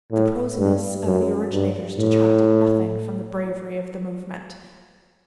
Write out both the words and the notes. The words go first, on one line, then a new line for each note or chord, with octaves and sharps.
The prosiness of the originators detracted nothing from the bravery of the movement.
A2
G2
F#2
G2
A2